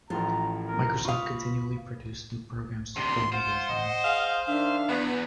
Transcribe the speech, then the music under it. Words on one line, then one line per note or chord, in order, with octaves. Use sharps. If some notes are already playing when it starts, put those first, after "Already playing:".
Microsoft continually produced new programs to play media files.
A1 A2 F3 F4 A#5
A#4
F4 F5 B5 C#6 D#6
D2 C3 C6
F4 C5 F#5
D#5
G#4 F5
D#3 D4 E5 F5
E2 B3 B4